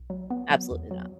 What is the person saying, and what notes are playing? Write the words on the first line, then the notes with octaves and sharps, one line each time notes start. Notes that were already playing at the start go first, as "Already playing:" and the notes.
Absolutely not.
Already playing: B1
F#3
B3
F#3
E2
F#3